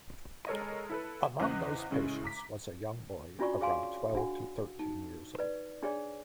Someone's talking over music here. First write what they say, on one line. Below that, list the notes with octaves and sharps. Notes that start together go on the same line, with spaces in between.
Among those patients was a young boy around twelve to thirteen years-old.
G#3 A4 A#4 C#5 D#5
E4 A4 B4
E2 C#3 C5 D#5 F#6
A2 C#3 G#3 C#4
A#5 D6 B6
C#4 D4 F4 F#4 D5 C#6
G#4 C#5 F5 G#5 C6
D4 F#4 F#5
D#4
B4 D5
D4 G#4 C#5 D5